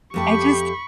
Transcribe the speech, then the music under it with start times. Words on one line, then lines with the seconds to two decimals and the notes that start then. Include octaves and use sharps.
I just
0.14 F2 A3 G4 A5 B5 C#6